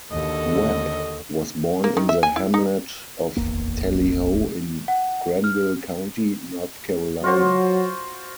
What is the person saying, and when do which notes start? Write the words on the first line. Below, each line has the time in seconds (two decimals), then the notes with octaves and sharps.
Webb was born in the hamlet of Tally Ho in Granville County, North Carolina.
0.12 D#2 D3 F#4 A4 D#5
1.84 A#3
1.97 D#3
2.09 E5
2.23 G#5
2.36 E4
2.54 D#4
3.36 D1 G#1 E2 A#3
4.88 F#5
5.44 F6
7.24 F#3 F4 F#4 C5